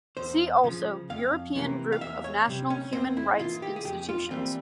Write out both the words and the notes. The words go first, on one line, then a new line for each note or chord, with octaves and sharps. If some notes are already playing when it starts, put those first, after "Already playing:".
See also European Group of National Human Rights Institutions.
E2 C5
C#3 F3
F2 F5
C3 E3 A#3
F5
E2 E5
C#5
C3 G3
C#4
E2 C4
E4
C#3 E3 A#3 F4
G4
G#4
F2 G4
F4
E3 G3 A#3 C4